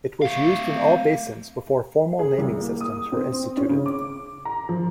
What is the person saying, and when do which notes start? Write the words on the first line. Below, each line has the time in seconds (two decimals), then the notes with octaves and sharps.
It was used in all basins before formal naming systems were instituted.
0.22 A3 F5
2.19 G#4
2.38 C2
2.61 A#3
2.81 D#6
3.12 C4
3.57 C#4
3.69 C#3
3.86 D6
4.45 A#5
4.69 F3